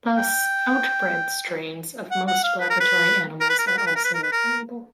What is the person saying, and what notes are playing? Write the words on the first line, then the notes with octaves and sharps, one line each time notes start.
Thus outbred strains of most laboratory animals are also available.
G5
F#5
F#5
F5
B4
A#4
B4
A#4
B4
A#4
B4
A#4
B4
A#4
B4
A#4
B4
A#4